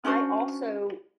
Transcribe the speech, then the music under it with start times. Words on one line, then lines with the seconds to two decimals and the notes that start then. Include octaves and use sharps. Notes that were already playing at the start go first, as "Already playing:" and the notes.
I also
0.05 C#4 D4 F#4 C5